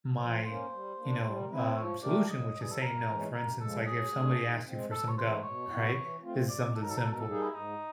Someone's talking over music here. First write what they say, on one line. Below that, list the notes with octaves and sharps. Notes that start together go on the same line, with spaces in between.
"my," you know, um, "solution," which is saying no. For instance, like, if somebody asked you for some gum, right? This is something simple,
F3 C5
A#3 C#4 C5
G3
A#3 D4
G3
A#4
C4 E4 B4
C5
F3 C#5
A3 D4 G4 A#4 D5
A2 D#5
E3 G3
G#4
A4
G2 A#4
E3 G#3 C#4
F#2 A#4
C#3 F3 G#3 A4
F#3 G#4
A3 D4
D#3
G#3 C4
D2 A4
C#5
C#3 E3 A3 C5
B2 C#5
F#3 B3 E4
E3
A3 C4 F4
C3 D5
D#3 F#3 A4 A#4
A4
A#4
B2 A4
A#4
A4
G3 A#3 D#4 G#4
E4
G#2 D#4